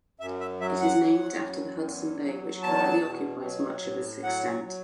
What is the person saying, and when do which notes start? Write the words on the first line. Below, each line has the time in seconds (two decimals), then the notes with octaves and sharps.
It is named after the Hudson Bay, which currently occupies much of its extent.
0.20 F#2 E5
0.40 E5
0.60 F#3 E5
0.81 F#5
1.01 F#3
1.41 F#2
1.81 E2
2.22 F#3
2.62 E2 A5
3.03 B2
3.43 F#3
3.83 A2
4.24 F#3 F#5
4.64 F#3